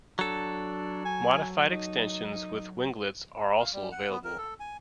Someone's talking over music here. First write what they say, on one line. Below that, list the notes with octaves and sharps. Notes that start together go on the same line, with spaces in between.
Modified extensions with winglets are also available.
F#3 D4 A4
G#5
D#4
F5
G3
F#5
B3
A#4
A4
G#5